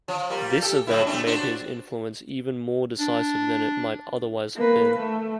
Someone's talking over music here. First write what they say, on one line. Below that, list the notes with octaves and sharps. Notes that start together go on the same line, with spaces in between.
This event made his influence even more decisive than it might otherwise have been.
F3
G3 A#3 F4
G4 A4
A2 F#3 E4
A3 C4 D4
D4 F#4 C5
D4
A#3 B4
A3